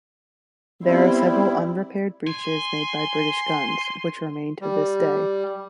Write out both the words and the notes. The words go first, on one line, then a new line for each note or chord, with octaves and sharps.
There are several unrepaired breaches made by British guns, which remain to this day.
G3 B3 C4 E4
G#5 C6
G3